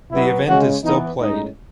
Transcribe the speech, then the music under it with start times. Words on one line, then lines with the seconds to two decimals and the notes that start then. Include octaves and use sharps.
The event is still played.
0.12 B2 F#3 B3 E4
0.47 C#3 G#3 C#4 F#4
0.83 E3 B3 D#4
1.19 A2 G#3 C#4 D#4